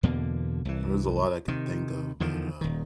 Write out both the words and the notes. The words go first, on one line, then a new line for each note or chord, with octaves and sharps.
There's a lot I can think of, but, uh,
E2 B2 D3 A#3
C2 E3
C3 D#3
E2 D3 D#3 F3
D#1 D#3